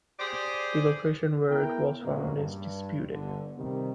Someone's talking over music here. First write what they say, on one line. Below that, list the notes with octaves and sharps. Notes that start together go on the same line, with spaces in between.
The location where it was found is disputed.
G4 G#4 C5 D5
B3 E4 A#4 G5
A#2 C#3 F#3 G#3 A#3
G2
G1 D3
C3 D#3 G3